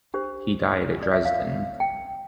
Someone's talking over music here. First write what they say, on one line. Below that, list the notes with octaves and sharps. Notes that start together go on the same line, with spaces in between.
He died at Dresden.
D4 G4 C5
D5
E5
F5
G5